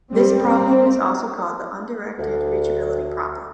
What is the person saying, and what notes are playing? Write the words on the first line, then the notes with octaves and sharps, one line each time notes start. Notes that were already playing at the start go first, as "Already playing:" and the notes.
This problem is also called the undirected reachability problem.
G3 C4
C4
D2